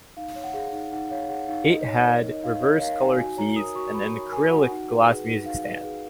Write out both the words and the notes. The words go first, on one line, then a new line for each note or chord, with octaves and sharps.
It had reverse-colour keys and an acrylic glass music stand.
D#4 F5
C#5
F#5
G#4 F5
D#4
D#4 F#5
C#5 F5
G#4 F#5
D#4 F5
D#4 D#5
C#5
A#4
D#4
D#5
D#4 F5
C#5 D#5
A#4 F5
D#4 G#5
F#4 G#5
C#5 A#5
A#4 D#6
F#4 C#6
F#4 B5
C#5
A#4 G#5
F#4 F#5
D#4
B4
G#4
D#4
D#4 F5
B4
G#4